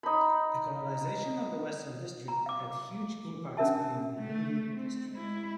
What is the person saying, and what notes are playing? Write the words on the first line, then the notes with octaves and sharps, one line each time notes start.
The colonization of the Western District had huge impacts beyond the immediate district.
D#4 B5
A#5
F5 D6
C#4 D4 A#4 E5 A5
A3
C4
G#3 E4